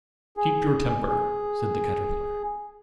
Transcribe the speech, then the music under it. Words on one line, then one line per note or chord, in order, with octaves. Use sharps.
'Keep your temper,' said the Caterpillar.
G#4
G#4